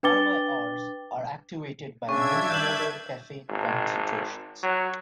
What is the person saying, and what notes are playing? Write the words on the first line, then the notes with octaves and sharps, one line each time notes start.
RyRs are activated by millimolar caffeine concentrations.
D4 B4 G5 D6 A6 G7
C#3 D4 E5 C#6 G#6
G2 G6 E7 F#7
G#1
F#3